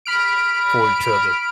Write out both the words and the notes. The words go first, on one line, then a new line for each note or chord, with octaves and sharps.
for each other
B5 F6 D7